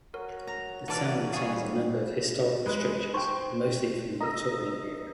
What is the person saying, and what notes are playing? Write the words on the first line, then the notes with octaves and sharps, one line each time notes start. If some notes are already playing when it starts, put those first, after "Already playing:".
The town retains a number of historical structures, mostly from the Victorian era.
F#3 A#4
A#5
E3 D4 D5 F#5 A5 F6
G3 G#4 F5 G#5 C#6
G#3 B4
D#4 C5 G5 C6 C#6
D#5 A#5 E6